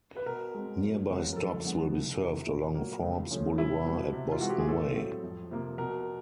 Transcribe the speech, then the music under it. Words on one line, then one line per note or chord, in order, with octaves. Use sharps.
Nearby stops will be served along Forbes Boulevard at Boston Way.
B4
B2 A#4
G#3 C4
F#2
C#3 F3 G#3 B3
A#4
F2 A4
D3 F3 G#3 B3
C2
C3 E3
A#2
F#3 A#3
C#2
C#3 F3 A3 C#4
C2 E4
B2 G3 C4
C3
F4
E3 G#3 C4 F#4
G4
G#4
A2 A4
F#3 A3 C4
F2
C3 F3 A#3
B2 A#4